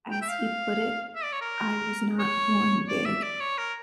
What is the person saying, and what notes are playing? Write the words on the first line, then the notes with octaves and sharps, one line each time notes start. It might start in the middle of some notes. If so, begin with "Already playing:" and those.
As he put it, "I was not born big".
G5
E5
F5
E5
D5
C#5
A#4
C#5
D5
E5
D5
C#5
A#4